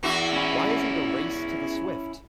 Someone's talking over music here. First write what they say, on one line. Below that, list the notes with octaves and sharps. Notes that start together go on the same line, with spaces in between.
Why isn't the race to the swift?
E2 E3 F#4
C#4 E4